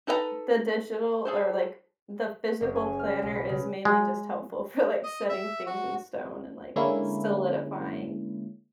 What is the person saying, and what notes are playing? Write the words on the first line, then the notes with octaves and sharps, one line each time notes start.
the digital, or, like, the physical planner is mainly just helpful for like, setting things in stone, and, like, solidifying,
D#4 A4 B4 F5 A#5
G#4 A4 C5
F#1
G#5
F6
B1
B4
C#3
G#3
D#5
E5
F#4
D3 G#3 A#3 C#4 E4